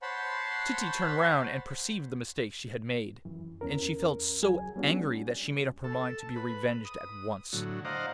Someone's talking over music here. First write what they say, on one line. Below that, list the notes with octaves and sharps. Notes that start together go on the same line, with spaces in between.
Titty turned round and perceived the mistake she had made; and she felt so angry that she made up her mind to be revenged at once.
C5 C#5 F#5 A5 B5 C6
F#2 E3
E2 C#4 A#4
C#2 F#3 G#4 G#5
G3 B3 C#4 D4 F#4
A4
B4
D#6
A2 D3 F#3
C5 D5 D#5 F5 F#5 A#5